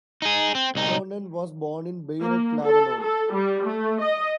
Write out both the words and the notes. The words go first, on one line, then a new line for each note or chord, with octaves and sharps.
Conan was born in Beirut, Lebanon.
D#4 G#4
C4
C2 D#4
A#3
A4
A4
G3
A3
D#5